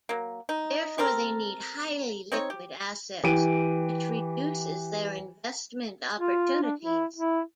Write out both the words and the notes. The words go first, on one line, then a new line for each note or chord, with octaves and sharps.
Therefore they need highly liquid assets which reduces their investment opportunities.
F#3 A#3
D#4
G3 C4 A4 A#4
C4 D#4 C#5
G4
E3 G4 D7 D#7
F4
D4
E4
E4